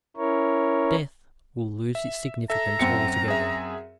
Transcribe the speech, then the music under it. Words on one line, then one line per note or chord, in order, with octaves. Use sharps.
Death will lose its significance altogether.
C#4 E4 A#4 C#5
E5
A4 E5 A#5
F#2 C4 C#7
G#4 E5